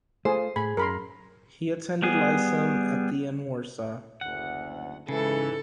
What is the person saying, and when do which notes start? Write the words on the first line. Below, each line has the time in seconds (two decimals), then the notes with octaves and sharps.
He attended lyceum at the in Warsaw.
0.25 A3 F4 G#4 C5
0.56 A2 G#4 B5
0.77 F#2 A#4 B5 C6
2.02 G3 B3 G#4
4.21 F#1 D2 F#5
5.09 G#2 C#3 E3 A4